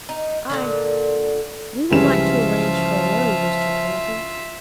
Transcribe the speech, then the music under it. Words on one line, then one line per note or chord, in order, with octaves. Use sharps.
"I--we would like to arrange for a loan, Mr. Pantin."
D#4
A#2 D3 E3
C#2 E3 F3 G3 C#4 F4 E5 E7